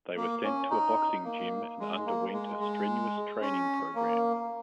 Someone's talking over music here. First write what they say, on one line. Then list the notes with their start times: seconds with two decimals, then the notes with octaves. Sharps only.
They were sent to a boxing gym and underwent a strenuous training program.
0.17 A#3
0.44 C#4
0.70 D#4
1.24 A#3
1.79 G#3
2.06 A#3
2.33 G#3
2.60 G#3
3.41 C#4
3.95 A#3